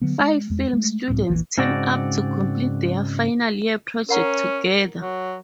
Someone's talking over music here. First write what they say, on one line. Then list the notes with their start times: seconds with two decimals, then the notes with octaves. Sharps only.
Five film students team up to complete their final year project together.
0.02 D3 F#3 B3
0.20 G#3
0.50 E2 G#3
0.73 G#3 A3
1.08 C#2 A2 F#3 C4
1.29 E1 A#1 A#2 E3
1.58 G#2 C#3 C4 F#4 D5
4.09 C#4 A#4 F#5 A#5
4.98 F#3